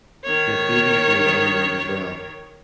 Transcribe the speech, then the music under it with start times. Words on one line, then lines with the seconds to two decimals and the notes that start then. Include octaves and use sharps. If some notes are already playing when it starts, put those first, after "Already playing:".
Yet Davies made enemies as well.
0.24 D#3 C#5